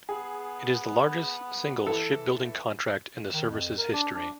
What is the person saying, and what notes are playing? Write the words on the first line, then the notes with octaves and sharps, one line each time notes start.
It is the largest single shipbuilding contract in the service's history.
B3 G#4
E3 A4
D#3
F2
A#4
D4
D4